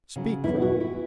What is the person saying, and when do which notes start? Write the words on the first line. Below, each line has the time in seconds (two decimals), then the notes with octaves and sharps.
"Speak, Raoul."
0.16 C#3 F#3
0.44 E2 E4
0.62 F#4
0.71 E3
0.80 E4